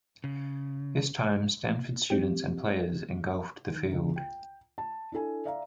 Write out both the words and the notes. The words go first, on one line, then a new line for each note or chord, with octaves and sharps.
This time Stanford students and players engulfed the field.
C#3
C4 G4
D#3
C#2 D3
G5
A5
D4 E4 A4 G#5
D5 E5 F5 A#5